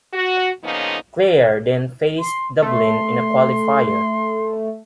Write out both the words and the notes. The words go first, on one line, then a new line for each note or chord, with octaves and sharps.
Clare then faced Dublin in a Qualifier.
F#4
A#2 C#3 F3 B3 C#4 D#4
C6
A3 C6